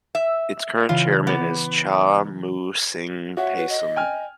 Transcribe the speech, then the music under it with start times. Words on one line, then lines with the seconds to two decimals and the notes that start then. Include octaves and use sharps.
Its current Chairman is Cha Mou Sing Payson.
0.15 E5
0.89 C#3 E3 F4
1.27 B3 D6
3.37 F#4 C#5 E5
3.57 B4
3.69 D#5
3.96 G5 G#5 F6